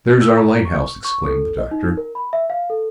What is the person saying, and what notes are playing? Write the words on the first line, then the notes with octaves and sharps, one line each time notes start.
"There's our lighthouse!" exclaimed the Doctor.
E6
A#5
C#6
C#6
A4
D#5
D#4
A#4
B5
E5
F5
A4